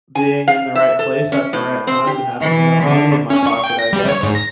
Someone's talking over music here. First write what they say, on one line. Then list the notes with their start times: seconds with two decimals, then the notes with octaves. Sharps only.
being in the right place at the right time, and having enough money in my pocket, I guess.
0.15 G#5
0.48 F5
0.75 E5
0.99 A4
1.32 C#4
1.53 A2
1.87 C4
2.07 G4
2.41 E3
2.83 D3
3.30 C#4
3.47 C#6
3.64 G5
3.79 A#6
3.93 G3
4.09 C#5
4.23 G#2
4.35 A#6